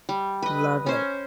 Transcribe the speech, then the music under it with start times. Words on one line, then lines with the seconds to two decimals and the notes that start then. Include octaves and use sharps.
Love it.
0.09 G3
0.42 B4 D#5
0.86 C#4 C5